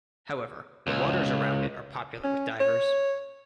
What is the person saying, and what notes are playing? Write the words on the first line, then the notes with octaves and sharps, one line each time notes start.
However, the waters around it are popular with divers.
C#2
C#4
C#5